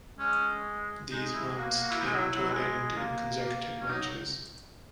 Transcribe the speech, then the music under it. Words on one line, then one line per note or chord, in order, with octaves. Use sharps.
These runs came to an end in consecutive matches.
G#3 C#4
G#3 D#4
E4
A#3 F#4
F#4
E4
G#3 D#4
F#3 E4
F#3
G#3
A#3
A#3
C#4
F#3 D#4